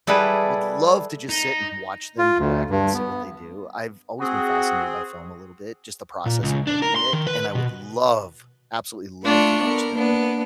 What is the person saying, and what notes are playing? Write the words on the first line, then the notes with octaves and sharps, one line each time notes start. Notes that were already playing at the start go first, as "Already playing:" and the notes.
would love to just sit and watch them direct, and see what they do. I've always been fascinated by film a little bit, just the process of making it, and I would love, absolutely love, to watch them,
G3 E4 G#4 A4 B4
D#4
F4
D2
G2
B3
C4 F#4 G#4
A#2
C#2
D4
A#4
C6
D#3
B4
B2
A3 D4 F4 C#6
B3 A#4
A#3 B3 D4